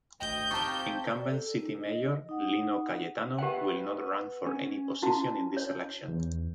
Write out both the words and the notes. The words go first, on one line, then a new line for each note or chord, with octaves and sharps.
Incumbent city mayor Lino Cayetano will not run for any position in this election.
G#1 D2 D#5 G5 D#6 G6
C4 D#4 F4 G4 A5 C#6
D5
A4
D#4
D#5
D#4 F#5
G4 B4 E5 F#5 G5
C#4
E4 F#4 A5
C#5
E2